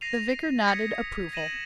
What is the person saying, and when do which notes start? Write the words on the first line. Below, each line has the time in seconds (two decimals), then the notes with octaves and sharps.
The vicar nodded approval.
0.01 A#6 C7 D#7 F7
0.66 D#6 G#6 B6 C#7
1.33 A#6 D#7 E7 F#7